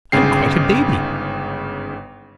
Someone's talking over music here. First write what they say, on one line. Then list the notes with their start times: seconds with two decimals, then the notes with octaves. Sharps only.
I'm quite a baby.
0.12 G1 G#2 C#3 G5 C7